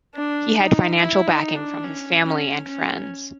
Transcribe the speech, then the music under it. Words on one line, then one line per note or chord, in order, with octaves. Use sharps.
He had financial backing from his family and friends.
D4
D#4
E4
D#4
D4
C#4
C#4
C#4